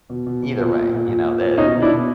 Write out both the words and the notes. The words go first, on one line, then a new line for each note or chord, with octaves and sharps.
Either way, you know, the c
B2
B2
B2
A#2
A#2
A#2
A#2
A#2
A#2
B2 C#4 D#4
B2
D4 E4
B2